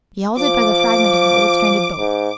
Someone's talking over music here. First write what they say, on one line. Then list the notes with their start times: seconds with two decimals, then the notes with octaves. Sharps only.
He halted by the fragment of an old stranded boat.
0.38 F3 D6
1.98 G#2